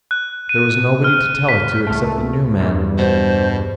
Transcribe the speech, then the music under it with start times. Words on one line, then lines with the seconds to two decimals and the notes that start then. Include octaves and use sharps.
There was nobody to tell it to except the new man.
0.11 F#6
0.49 D#7
1.04 F6
1.49 B6
1.87 C#2 A3
2.58 E2 G2
2.98 B2 C5